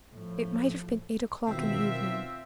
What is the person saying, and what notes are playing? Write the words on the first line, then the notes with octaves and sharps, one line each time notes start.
It might have been eight o'clock in the evening.
A2 F3
B2 D#3 C4 F4 E5